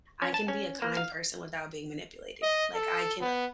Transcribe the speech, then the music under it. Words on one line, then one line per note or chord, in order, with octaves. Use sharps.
I can be a kind person without being manipulated." Like, I can,
C#4
A5
C#4
A#3
F5
D#5
A4
B3